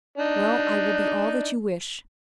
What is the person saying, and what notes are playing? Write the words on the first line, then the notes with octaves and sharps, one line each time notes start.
"Well, I will be all that you wish."
D4 D#4